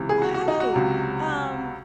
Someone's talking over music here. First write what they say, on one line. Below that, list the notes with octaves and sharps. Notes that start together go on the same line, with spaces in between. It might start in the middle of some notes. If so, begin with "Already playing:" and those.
Right! Um,
Already playing: C#2 C3 E3
G#4
F#4
F#4
D#4
F#4
C#2 C3 F#3